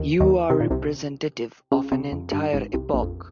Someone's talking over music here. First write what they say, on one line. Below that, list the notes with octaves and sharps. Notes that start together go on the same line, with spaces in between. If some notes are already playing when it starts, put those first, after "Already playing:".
You are representative of an entire epoch!
Already playing: D#2 D#3
D#2 D#3
C3
A#2
C2 C3
C#2 C#3
C2 C3
F2
G2
G#1 G#2
C2 C3
A#1 A#2
F2